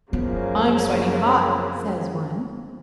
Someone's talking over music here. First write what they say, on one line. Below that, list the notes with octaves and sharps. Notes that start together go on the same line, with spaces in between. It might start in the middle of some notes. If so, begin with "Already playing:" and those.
"I'm sweating hot," says one.
F#2 C#3 F3 A#3 B3